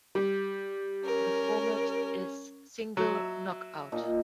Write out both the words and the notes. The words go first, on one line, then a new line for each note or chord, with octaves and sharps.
The format is single knockout.
G3
C#4 A#4
F#3
E5
A#2 D#4